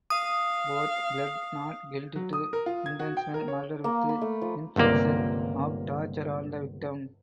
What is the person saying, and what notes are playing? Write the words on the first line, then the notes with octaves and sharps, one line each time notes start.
Both pled not guilty to intentional murder with infliction of torture on the victim.
F5 D#6
F#3
D#6
A#4
F4
G#6
F#4
G5
A#4
C#5
A#3
B5
A3
F3
G1 C#2 C3 A#3 D5